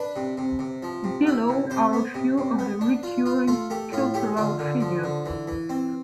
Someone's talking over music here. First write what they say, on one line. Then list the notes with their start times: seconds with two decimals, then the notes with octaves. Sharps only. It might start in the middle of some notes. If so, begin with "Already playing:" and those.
Below are a few of the recurring cultural figures.
Already playing: D4 B4
0.16 C3
0.37 C3
0.59 C3
0.83 F3
1.04 C3
1.27 E4
1.49 C3
1.70 C3 C5
1.93 B3
2.15 C3
2.38 C3
2.59 B3
2.81 D4
3.03 F4
3.26 F4
3.48 A3 F4
3.70 A3 G4
3.92 A2 F4
4.14 A3 G4
4.37 D3 F4
4.59 D3
4.81 F3
5.04 D3
5.26 E3
5.48 E3
5.69 C4